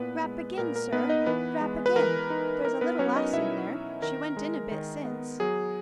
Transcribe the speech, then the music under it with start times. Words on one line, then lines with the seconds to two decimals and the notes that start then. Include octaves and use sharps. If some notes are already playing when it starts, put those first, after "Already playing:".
'Rap again, sir, rap again; there's a little lass in there; she went in a bit since.'
Already playing: A#2 B3 E4 B4
0.24 G#3
0.58 A#2 A#4
0.76 A#4
0.93 B3 D#4 B4
1.09 D#4 D#5
1.26 E3 B3 B4
1.61 G#3
1.86 B4
1.96 E3 A#4
2.30 D#4
2.65 D#4 A#4
2.81 B3 B4
2.99 F#3 C#4 C#5
3.16 D#4 D#5
3.33 B2 E4 E5
3.68 B3
4.02 D#3 A#4
4.37 G#3
4.72 D#3
5.05 B3
5.40 F#3 G#4